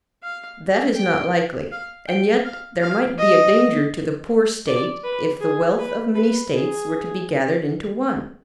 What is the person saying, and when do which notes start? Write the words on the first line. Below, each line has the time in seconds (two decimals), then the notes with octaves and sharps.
That is not likely; and yet there might be a danger to the poor State if the wealth of many States were to be gathered into one.
0.23 F5
0.96 G5
1.71 F5
2.08 G5
2.44 F5
2.82 F5
3.19 D#5
4.67 D5
5.04 B4
5.41 G#4
5.78 B4
6.15 B4
6.52 G#4